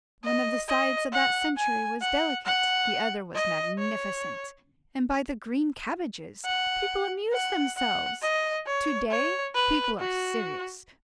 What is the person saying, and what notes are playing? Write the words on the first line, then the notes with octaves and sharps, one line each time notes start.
One of the sides of that century was delicate, the other was magnificent; and by the green cabbages! people amused themselves. To-day, people are serious.
D#5
D#5
F#5
G#5
F#5
F#5
D#5
C#5
F#5
F#5
F#5
D#5
C#5
C#5
B4
F#4